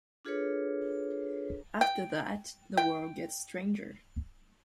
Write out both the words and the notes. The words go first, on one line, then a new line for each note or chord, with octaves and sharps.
After that, the world gets stranger.
D4 F4 G#4 A4 B4 C#5
G5
G5